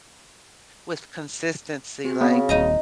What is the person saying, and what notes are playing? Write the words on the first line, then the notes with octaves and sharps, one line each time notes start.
with consistency, like
C4 F#4 G#4
C#3 B3
D#1 D#4 D#5 A#5